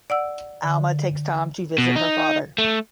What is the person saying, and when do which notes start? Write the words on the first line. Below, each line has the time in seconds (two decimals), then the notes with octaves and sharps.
Alma takes Tom to visit her father.
0.10 D5 F#5 E6
0.63 D3
1.78 B2
1.96 D#4
2.58 A3